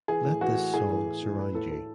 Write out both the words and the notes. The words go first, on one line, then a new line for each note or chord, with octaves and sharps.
Let this song surround you.
E3 G#4
A2
E3 F#4
A2
A2 G#4
E3
A2
A2
A2 B4
A2 A4
A2 A4